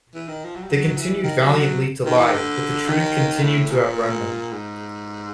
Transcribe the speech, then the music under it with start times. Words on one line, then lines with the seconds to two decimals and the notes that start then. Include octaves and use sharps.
They continued valiantly to lie, but the truth continued to outrun them.
0.14 E3
0.28 D#3
0.45 F3
0.56 F#3
0.64 G3
0.70 F#3
0.97 E3
1.24 D#3
1.42 F#3
1.60 F#3
2.06 D#3
2.17 E3
2.26 D#3
2.33 D3
2.88 D#3
3.43 A2
3.71 A#2
4.52 G#2